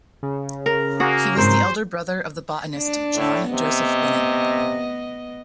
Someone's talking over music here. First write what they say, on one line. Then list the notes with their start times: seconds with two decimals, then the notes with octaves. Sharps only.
He was the elder brother of the botanist John Joseph Bennett.
0.23 C#3
0.66 A#4
1.00 A#3 F#4 G#4
1.37 G#2 C4 A#4 C5
2.76 D4
3.15 A2
3.52 C3 B3 D#5